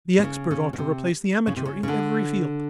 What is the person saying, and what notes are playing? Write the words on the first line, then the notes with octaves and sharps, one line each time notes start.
The expert ought to replace the amateur in every field.
C3
C#3
C#3
C#3
C3
C#3
C3
C#3
C#3
D3